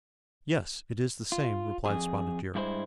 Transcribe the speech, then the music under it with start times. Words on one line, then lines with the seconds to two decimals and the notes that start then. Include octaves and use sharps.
"Yes, it is the same," replied Spotted Deer.
1.32 F4
1.86 F2 G#4
2.55 G2 G#3 E4 F#4 C5